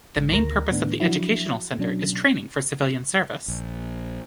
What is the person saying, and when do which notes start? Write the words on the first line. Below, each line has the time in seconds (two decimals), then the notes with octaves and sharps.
The main purpose of the Educational Center is training for civilian service.
0.16 G#1 G#2
0.32 D2 D#3 A#4 A#6
0.71 A2 D#3 B3 D4
1.00 F3 F#3 D4 E4 F#4
1.78 B2 F#3 C#4 D4
3.48 A#1